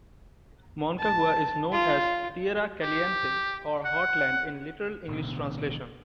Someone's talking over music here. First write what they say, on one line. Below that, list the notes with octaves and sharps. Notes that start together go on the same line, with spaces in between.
Moncagua is known as "tierra caliente" or "hot land" in literal English translation.
A5
F4
G4
F#5
A1 B2 D3